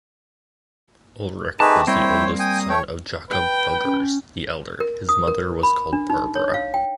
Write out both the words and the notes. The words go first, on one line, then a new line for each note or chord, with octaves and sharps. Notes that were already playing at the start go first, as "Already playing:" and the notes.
Ulrich was the oldest son of Jakob Fuggers the elder, his mother was called Barbara.
A3 C4 D#4 G4 G#4 B4 A5
G3 A#3 C4 E4 C5 C#5 G5
G5 G#5 D#6
A3 C#5 G5
B4 G5
C#4
A#4
D#6
A#4
B5
D4
D#4
C#5
F5
G5